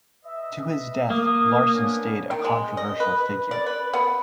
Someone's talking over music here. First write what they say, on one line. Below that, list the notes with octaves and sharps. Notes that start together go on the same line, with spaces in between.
To his death Larsen stayed a controversial figure.
B4 D#5 E5
A#3 D#6
B3 C#4 D4
D#3
G#3
D#5
B4
D5
B4
B3